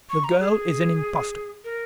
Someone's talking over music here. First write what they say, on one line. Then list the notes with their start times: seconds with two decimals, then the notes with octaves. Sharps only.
The girl is an impostor.
0.10 C#6
0.24 A#5
0.40 G#4
1.64 A#4